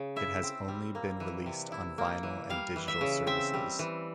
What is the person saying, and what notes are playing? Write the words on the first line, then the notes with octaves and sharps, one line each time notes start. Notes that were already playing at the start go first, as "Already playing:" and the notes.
It has only been released on vinyl and digital services.
Already playing: C#3
E4 E5
C4
G3
A#3
E3
C3
E4
A#3
E3
G3 F5
E3
E5
C#3
C4 E5
G3
E3